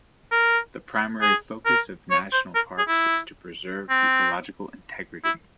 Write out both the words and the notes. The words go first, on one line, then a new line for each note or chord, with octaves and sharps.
The primary focus of national parks is to preserve ecological integrity.
A#4
G#4
A#4
C#5
C5
A#4
G#4
E4
C4
E4